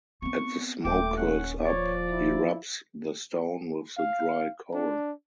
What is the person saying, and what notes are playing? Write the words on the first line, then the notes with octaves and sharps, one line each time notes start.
As the smoke curls up, he rubs the stone with the dry coral.
B3 C4 C#6
D#1 A3 G5 D6
C#4 F#5
F3 C#5 D5
E4
F5
D4